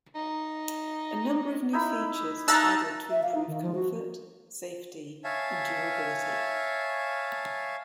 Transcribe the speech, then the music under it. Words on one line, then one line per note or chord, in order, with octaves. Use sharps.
A number of new features were added to improve comfort, safety, and durability.
D#4
D#4 E4 B5
D#4 E5 F5 A5 A#5 E6 F#6 A6
E5
F5
D#4
D#3
F3
F#4
C#5 E5 F5 G#5 A5